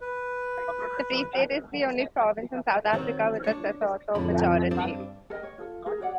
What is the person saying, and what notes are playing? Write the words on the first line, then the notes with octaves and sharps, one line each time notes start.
The Free State is the only province in South Africa with a Sesotho majority.
B4
D#3 F#3 C4
D4 C#5
F2 A2 D3 B5
G2 C4 D4
A4 A#4 D#5 G5
C#5
F4 A4
G#4 A#4
F#4 C#5 D5 F#5